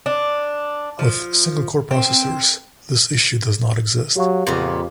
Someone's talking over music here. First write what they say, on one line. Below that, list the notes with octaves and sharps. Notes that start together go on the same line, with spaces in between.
With single core processors, this issue does not exist.
D4
F3
C4
F#3 G4 F5 C#6
F2 A#2 C#3 B3